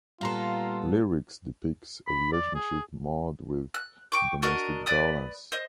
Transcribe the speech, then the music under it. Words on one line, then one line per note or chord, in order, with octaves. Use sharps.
The lyrics depicts a relationship marred with domestic violence.
A#2 G3 B3 F4 A4 F5 A#5 C6
B5
D5
G#4
F#6
G5 C#6 D6
D4 F#4 A#4 D#5
B4 D5 B5 D#6
C5 D#5